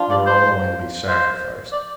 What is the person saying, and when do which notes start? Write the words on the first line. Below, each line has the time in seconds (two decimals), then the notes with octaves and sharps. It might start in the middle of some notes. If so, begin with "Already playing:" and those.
They were all going to be sacrificed.
Already playing: F3 D4 F4
0.11 D5
0.26 C5
1.08 C5
1.72 D5